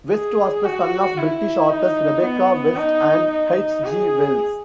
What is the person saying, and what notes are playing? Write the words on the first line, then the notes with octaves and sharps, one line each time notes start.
West was the son of British authors Rebecca West and H. G. Wells.
G#4
F#4
E4
D#4
B3
D#4
D#4
G#4